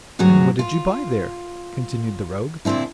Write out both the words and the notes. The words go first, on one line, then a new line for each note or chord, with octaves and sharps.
'And what did you buy there?' continued the rogue.
D2 G2 F#3 C#4 F#4 G#4
F4
A#2 D3 C4 D4 E4